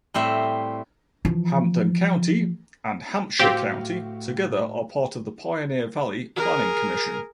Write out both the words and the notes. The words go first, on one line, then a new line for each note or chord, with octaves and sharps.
Hampden County and Hampshire County together are part of the Pioneer Valley Planning Commission.
A2 G3 C4 E5
E3 F3
A2 C4 F#4 G4 F5
G#4 A#4